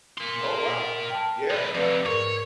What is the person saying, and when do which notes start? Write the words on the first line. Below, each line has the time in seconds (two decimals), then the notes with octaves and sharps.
Oh, wow. Yeah, I
0.18 A#4 C6
1.10 G5 A5
1.50 G#3 B4
1.75 F2 C3 B4 D5
2.06 G#2 A#4 C#5 C#6